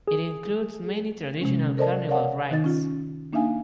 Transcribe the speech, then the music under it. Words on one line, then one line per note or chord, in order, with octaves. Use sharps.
It includes many traditional carnival rides.
G#4
C3 G#3 C#4
A4 A#4 C5 D5 D#5 A5
A#4 C#5 D5 F5 F#5 A5
D#3 D#4 D#5 A6
C#4 F4
A#3 D4 D#4 E5 F5 G#5